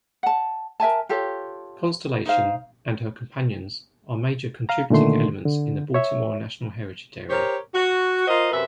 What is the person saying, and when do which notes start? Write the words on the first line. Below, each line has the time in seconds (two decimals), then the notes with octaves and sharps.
"Constellation" and her companions are major contributing elements in the Baltimore National Heritage Area.
0.23 F#5 A5
0.80 A#4 E5 G#5 A5
1.09 F4 G4 A4 C#5
2.26 D#4 C5 F5
4.69 F5 A#5
4.90 A#2 D3 D#3 A3 C6
5.46 D3
5.94 C#5 E5
7.29 G4 A#4 C5 C#5
7.74 F#4
8.27 F4 A#4 C5 D#5
8.52 F#2 C3 B4 E5